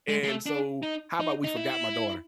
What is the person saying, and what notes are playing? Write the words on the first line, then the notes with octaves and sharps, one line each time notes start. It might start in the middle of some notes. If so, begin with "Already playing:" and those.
and so, how 'bout we forgot my daughter?
G#3
G#3
A3
D4
D#4
D#4
D#4
E4